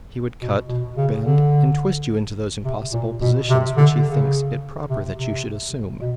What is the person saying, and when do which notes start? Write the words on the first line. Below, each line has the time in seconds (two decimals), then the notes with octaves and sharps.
He would cut, bend, and twist you into those impossible positions which he thinks it proper that you should assume.
0.41 B2
0.68 B2
0.97 C#3
1.24 D3
2.65 C3
2.93 A#2
3.21 B2
3.50 C3
3.77 D3
4.05 C#3
4.90 C3
5.18 C3
6.01 B2